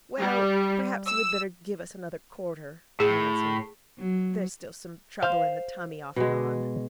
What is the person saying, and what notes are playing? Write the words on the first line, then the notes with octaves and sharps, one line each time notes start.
'Well, perhaps you had better give us another quarter,' he answered: 'there's still some trouble in the tummy off and on.'
G3
E6
A2 G#4
F#3
C5 F5
B2 G#3